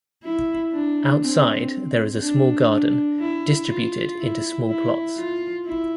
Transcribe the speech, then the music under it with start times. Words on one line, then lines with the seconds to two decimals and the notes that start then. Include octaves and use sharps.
Outside, there is a small garden, distributed into small plots.
0.23 E4
0.73 D4
1.22 C4
1.71 C4
2.20 D4
2.70 D4
3.19 E4
3.68 F4
4.18 E4
4.68 E4
5.17 F4
5.65 E4